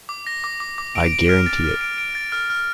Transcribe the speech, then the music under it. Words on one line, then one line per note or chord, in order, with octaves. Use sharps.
I guarantee it.
D6
A#6
D6
D6
D6
D7
D7
F6
A6
F6
D7
D7
A6
F6
F6